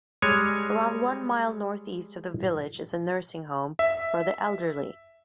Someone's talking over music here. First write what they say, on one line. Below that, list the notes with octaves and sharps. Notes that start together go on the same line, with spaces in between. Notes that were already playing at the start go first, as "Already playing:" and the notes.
Around one mile north-east of the village is a nursing home for the elderly.
G3 G#3 C#5 G#5
E5